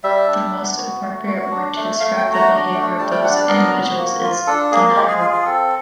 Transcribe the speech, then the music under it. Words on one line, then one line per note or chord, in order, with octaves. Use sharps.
The most appropriate word to describe the behavior of those individuals is 'denial'.
G3 E5
D4
B3
F#4
A3
F#4
D4
A3
A3 F5
G5
F#4
A#5
D4
A3
G3 A5
G5
D4 F#5
D5
B3 A#4
F#4
A#3
F4
D4 A4
A#3 G#4
G#3 G4
G#4
F4 G#4
G#4
C4 A4